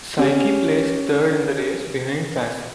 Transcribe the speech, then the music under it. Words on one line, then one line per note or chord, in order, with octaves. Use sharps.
Saiki placed third in the race behind Fasi.
C#4 G4